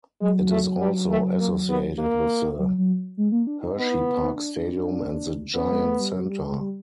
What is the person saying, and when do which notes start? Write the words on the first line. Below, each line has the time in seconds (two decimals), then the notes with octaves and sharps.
It is also associated with the Hersheypark Stadium and the Giant Center.
0.21 F#3 G#3
0.50 A3
0.81 G3
1.10 A3
1.40 A#3
1.69 B3
1.98 A#3
2.58 F#3
2.78 F#3
3.17 G#3
3.32 A#3
3.47 D4
3.62 D#4
3.77 B3 D#4
3.91 E4
4.21 D#4
4.36 D4
4.55 D4
4.75 D4
5.54 B3 C#4
5.70 G#3
5.84 A3
6.00 G3
6.14 F#3
6.29 G3
6.44 G#3
6.59 G3